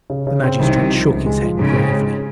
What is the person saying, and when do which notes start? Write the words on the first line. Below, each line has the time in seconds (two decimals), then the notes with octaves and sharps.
The magistrate shook his head gravely.
0.10 C#3
0.27 C#3
0.43 C4
0.59 C2 C3 D#3
0.76 C2
0.93 F3
1.09 C#2
1.26 G#3
1.42 F3
1.59 G#2 C#3
1.76 C4
1.92 G#3